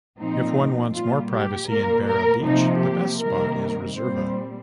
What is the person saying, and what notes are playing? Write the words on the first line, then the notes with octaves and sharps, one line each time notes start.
If one wants more privacy in Barra beach, the best spot is Reserva.
A#2 F3 C4 D#4
A#2 G3 A#3 F4
G4
A#2 A#3 A#4
A#4
C3 F3 A#3 D#4
G4
C3 D#3 G3 A#3 A#4
A#2 G3 C4 C5